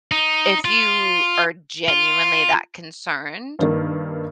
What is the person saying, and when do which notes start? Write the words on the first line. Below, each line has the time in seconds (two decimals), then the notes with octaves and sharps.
if you are genuinely that concerned,
0.12 D#4
0.65 F4
1.88 F4
3.59 G2 D#3 A#3